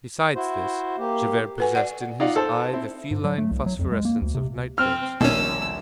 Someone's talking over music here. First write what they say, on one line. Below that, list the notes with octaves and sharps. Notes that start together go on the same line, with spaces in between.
Besides this, Javert possessed in his eye the feline phosphorescence of night birds.
E4 F#4 C5
A#3 G4
F#4 A4 B4 G#5
D5 F#5
D#4 F4 D5 F5 F#5
A4 C5 A5
C4 E4
G#2
F#3
A3
C2
F#3
F2
G#3
A#3
D2
C3
C4 F6
D#1 A#1 D#2 B2 C#4 E6